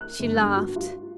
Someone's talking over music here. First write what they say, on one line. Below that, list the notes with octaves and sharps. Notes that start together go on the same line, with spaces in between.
She laughed.
F#6
G1
G2
F#4
F4